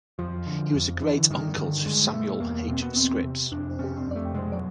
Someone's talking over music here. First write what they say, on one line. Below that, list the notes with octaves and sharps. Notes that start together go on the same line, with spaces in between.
He was a great uncle to Samuel H. Scripps.
F2 F3
D3
F2
D3 E3
G2 D#3
D3 D#3
G2 G#3
B2 A3
E2 A#3
B2 C4
B3
E2 C4
C3
F2 D4
C3 C#4
C4
F2
A3
B2 G#3
F#3